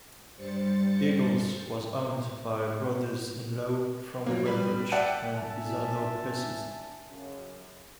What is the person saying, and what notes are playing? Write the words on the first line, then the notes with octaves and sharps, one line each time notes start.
Eagle's was owned by brothers-in-law, Frank Weindruch and Isadore Pesses.
G2 G3 C5 A6 C#7
F3 F#3 A#3
G3 B4
D5 E5 F#5 G5 A5
D4 E5 G#5 A5
F#2 C#3